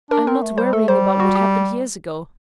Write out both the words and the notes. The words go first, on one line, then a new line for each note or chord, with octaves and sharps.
I'm not worrying about what happened years ago.
D4 A#4
C4 A#4
A3
G3 C5
A3 A4
G3 C5
F#4
G4